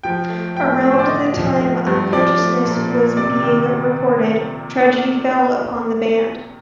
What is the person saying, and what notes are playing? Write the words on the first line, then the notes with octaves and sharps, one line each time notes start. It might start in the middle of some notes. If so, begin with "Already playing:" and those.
Around the time Unconsciousness was being recorded tragedy fell upon the band.
F3 G5
A3
A2 G5
A2
C5
D5
D3 D#5
F3
A3
G2
F3 D5
A3
A#2
A#2
C3 D5
D#3